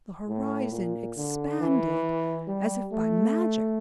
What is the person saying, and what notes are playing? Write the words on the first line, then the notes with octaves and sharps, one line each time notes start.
The horizon expanded as if by magic.
A2
A#2
D3
E3
G3
A3